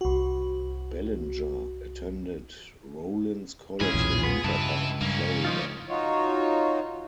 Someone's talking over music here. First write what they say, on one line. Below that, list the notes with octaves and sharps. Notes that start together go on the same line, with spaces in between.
Bellinger attended Rollins College in Winter Park, Florida.
C2 F#4
G#2 E3 C#4 F4 G#4 B5
B1 E2 A#2
B3 B4
C#2 G2 E4 B4 A5
G2 A#3 C#4
F3 D#4 F4
D#4 F4 F#4 C#5